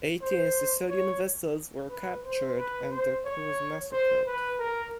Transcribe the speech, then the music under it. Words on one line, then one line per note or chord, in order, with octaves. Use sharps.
Eighteen Sicilian vessels were captured and their crews massacred.
C5
C#5
B4
C5
B4
C5
C#5
C5
B4
A#4